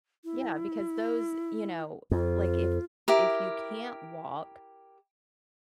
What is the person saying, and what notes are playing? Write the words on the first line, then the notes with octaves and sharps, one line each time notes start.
Yeah, because those, you know, like, if if you can't walk,
E4
F2 F4
E4 G4 A#4